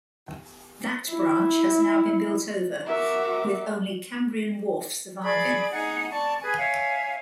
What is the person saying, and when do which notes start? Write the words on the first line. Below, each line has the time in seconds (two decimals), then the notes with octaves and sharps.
That branch has now been built over, with only Cambrian Wharf surviving.
1.11 E4
2.86 F#4 A#4 E5 D6
5.22 G#4 D5 B5
5.72 D#4 G#4 F#5
6.10 D5 A5 C#6
6.41 G#4 B4 G#5
6.58 C#5 E5 F5 G#5